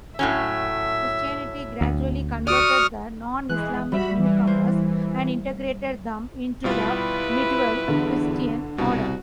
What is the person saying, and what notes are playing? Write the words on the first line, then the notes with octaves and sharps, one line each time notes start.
Christianity gradually converted the non-Islamic newcomers and integrated them into the medieval Christian order.
A2 F#3 C#4 E5
D2
F#4 D5 C#6 D#6 F6
E3 G#3 G#4 F#6
G3 F#4 E5 B5
E3
A#3 C5
B2 G3 E4 F4 B4
E2 D3
C2 B2 F#4